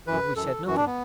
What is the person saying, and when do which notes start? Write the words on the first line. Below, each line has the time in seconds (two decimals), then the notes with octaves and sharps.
"We said nothing."
0.07 F#2 E3 B4
0.36 F#2 E3 A4
0.67 F#2 E3 F#4
0.76 D4
0.86 B3